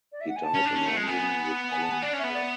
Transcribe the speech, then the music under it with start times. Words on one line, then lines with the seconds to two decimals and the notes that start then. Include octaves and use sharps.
He died in London the following year.
0.12 D5
0.21 E5
0.29 F#5
0.36 G#5
0.43 A5
0.54 C#4
0.65 D4
0.75 C#4
0.86 A3
0.96 G#3
1.03 A5
1.07 B3 G#5
1.71 G#5
1.81 A5
1.91 G#5
2.02 D4 D5
2.13 C#4
2.18 E5
2.23 B3
2.34 D5